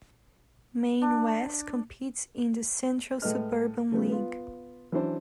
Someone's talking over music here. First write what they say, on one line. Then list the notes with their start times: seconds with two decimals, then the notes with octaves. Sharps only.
Maine West competes in the Central Suburban League.
1.02 D4
3.22 A2 G#3 B4 D#5 F6
3.92 C#3 F3 G3 B3
4.10 B3 F4
4.92 E3 F#3 C#4 D4 C5